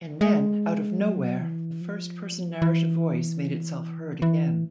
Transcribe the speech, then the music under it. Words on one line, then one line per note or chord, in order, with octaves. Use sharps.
And then, out of nowhere, the first-person narrative voice made itself heard again.
G#3
F#3
E3
F3
E3
E3